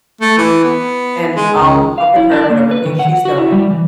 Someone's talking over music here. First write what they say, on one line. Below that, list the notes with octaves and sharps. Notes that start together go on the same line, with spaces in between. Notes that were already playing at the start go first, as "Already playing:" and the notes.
and I'll keep up with her, or whatever pace she's going.
A3
E3
B3
G#3
C#2
F5
E4
D4
A#3
B4
D#3
F#5
F#4
E4
G3
E3